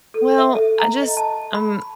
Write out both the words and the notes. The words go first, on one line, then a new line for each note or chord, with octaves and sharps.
"Well, I just I'm
A4
E5
A4
A#5
D#5
A5
B5